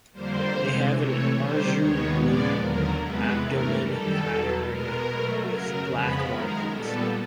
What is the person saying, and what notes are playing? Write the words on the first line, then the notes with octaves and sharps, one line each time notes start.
They have an azure blue abdomen patterned with black markings.
F2 D3 G3 A#3 C5
C3 E3 G#3
C3 E3 A3 C#5
C3 D#3 G3 C5
D#2 D#3 G#3 B3 C#5
A#2 F3 G#3 B3 D5
D#2 D3 F#3 A#4
E2 C3 E3 G#3 B3 B4
G2 E3 A3 A#4
F#2 D#3 G3 A4
E2 B2 F#3
B2 G#3 B3 A#4
B2 F#3 A3
F#2 C#3 F#3 A#4
F2 C#3 F3 G#3 B3 B4
F#2 D#3 G#3 A#4
A#2 G3 B3 A4